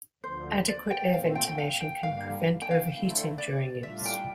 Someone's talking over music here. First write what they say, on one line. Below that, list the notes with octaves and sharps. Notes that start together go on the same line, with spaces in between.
Adequate air ventilation can prevent overheating during use.
D2 D3 F3 C5
D5
G5
A#2 A3 C4 F5
G5
G5
F5
G5
G2 D3 G3 A#3 F5
G5
F5
D3 A3 C4 E4
D5
A2 G3 D4 F4 E5
G5